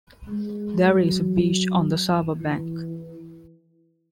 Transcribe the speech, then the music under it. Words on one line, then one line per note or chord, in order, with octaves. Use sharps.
There is a beach on the Sava bank.
G#3
F#3
E3